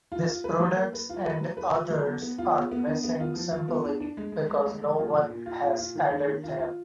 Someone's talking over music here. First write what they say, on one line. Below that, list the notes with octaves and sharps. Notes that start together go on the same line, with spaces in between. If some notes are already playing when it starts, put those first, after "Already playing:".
These products and others are missing simply because no one has added them.
F4
F4
B4
F#3
A#3
B4
F4
B4
F#3
B4
F4
F#3
B3
B3
F4
B3
B3
D4
B3
F4
F3
F4
B3
D4
D4
G#3
G#3
G#3
G#3
G#3
F4
A#2
A#2
F4
A#2
F4
D#3
D4
D#3
F4
F4